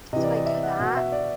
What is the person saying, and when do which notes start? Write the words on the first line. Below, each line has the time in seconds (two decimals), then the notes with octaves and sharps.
so I do that.
0.13 C3 E3 D#5
0.24 D5
0.35 D#5
0.46 E5
0.63 F#5
0.80 B2 F#5
0.97 E5
1.12 D5